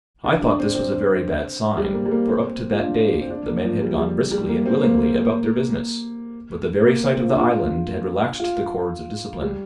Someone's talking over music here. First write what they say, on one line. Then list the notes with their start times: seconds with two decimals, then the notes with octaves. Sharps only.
I thought this was a very bad sign, for up to that day the men had gone briskly and willingly about their business; but the very sight of the island had relaxed the cords of discipline.
0.24 D4
0.42 D4
0.59 C4
0.75 C4
1.77 G3
1.94 A#3
2.06 G3
2.11 A#3
2.28 C4
2.72 F4
2.80 D4
3.21 C4
3.30 D4
3.48 A#3
3.65 F3
3.81 G3
3.98 G3
4.31 G3
4.49 A#3
4.66 C4
4.83 A#3
6.86 A#3
7.04 C4
7.20 F4
7.29 D4
7.39 F4
8.40 F4
9.42 G3